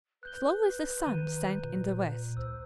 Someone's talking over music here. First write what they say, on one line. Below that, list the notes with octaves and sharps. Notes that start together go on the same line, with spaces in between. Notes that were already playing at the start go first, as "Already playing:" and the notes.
Slowly the sun sank in the west.
B4 F#6 G6 G7
D#3 A#5 D#7
A#2
C#2 C5 E6